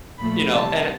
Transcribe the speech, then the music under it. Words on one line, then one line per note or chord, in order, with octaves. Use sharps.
you know and
A#2 F3 A3 B5
C3 E3 G3 A5